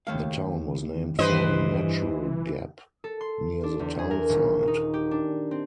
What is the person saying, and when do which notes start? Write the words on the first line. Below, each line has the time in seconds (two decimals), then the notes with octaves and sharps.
The town was named for a natural gap near the town site.
0.07 D#2 A3 F5
1.19 G2 E3 B4 C5 D#5
3.04 A4
3.21 C6
3.64 D4
3.80 E2
3.99 G#4
4.11 A#4
4.29 D#1
4.68 D#4
4.94 G4
5.11 D4
5.51 C4